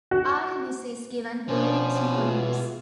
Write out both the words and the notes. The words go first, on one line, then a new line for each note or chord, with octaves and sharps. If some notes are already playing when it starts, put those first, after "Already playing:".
Artemis is given various motives.
F#4
B2 F3 C#4 D4 C5
E3 F4 G#4